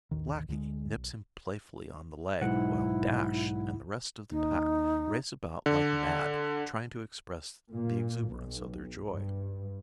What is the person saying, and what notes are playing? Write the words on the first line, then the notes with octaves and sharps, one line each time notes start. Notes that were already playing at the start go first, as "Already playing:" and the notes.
Blackie nips him playfully on the leg while Dash and the rest of the pack race about like mad, trying to express the exuberance of their joy.
A1 D#2 D#3
D2 D3 G3 G#3
B1
B1 G#2 E4 F#5
D#2 D#4
D3
A#2
B1
G2